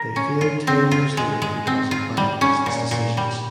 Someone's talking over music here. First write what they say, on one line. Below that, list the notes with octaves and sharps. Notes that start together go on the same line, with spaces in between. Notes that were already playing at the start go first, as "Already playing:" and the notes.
They failed ten years later because of bad business decisions.
Already playing: A#4
C#4
F4
C4
F4
G#3
G#3
C4
F4
G3
C#4
A#2
A#2
G3